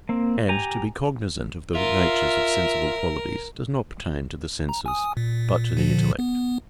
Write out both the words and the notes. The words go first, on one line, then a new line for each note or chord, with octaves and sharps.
And to be cognizant of the natures of sensible qualities does not pertain to the senses, but to the intellect.
A#3 C4
G4 G#5 A#5
F4 A#4 E5
A#5
G#5 D#6
A#2
A#2 D3 F3
B3